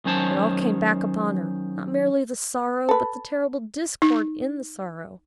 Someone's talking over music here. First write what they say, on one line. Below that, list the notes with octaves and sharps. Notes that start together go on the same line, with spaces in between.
It all came back upon her; not merely the sorrow, but the terrible discord in the sorrow.
D#3 F#3 C#4 C5 C#5 A5
A4 B4
D#4